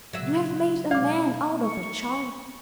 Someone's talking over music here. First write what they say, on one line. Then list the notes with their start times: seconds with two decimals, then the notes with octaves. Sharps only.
You have made a man out of a child.
0.13 A#2 C#3 F#3 E5
0.91 B2 G#3 D5 F5 D6
1.60 C#6